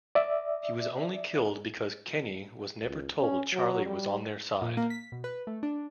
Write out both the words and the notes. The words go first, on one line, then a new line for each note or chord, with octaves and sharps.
He was only killed because Kenny was never told Charlie was on their side.
D5 E5
C#2
C#4
F#3
G3
A#2
A#3
B6
B2
B4
A3
D4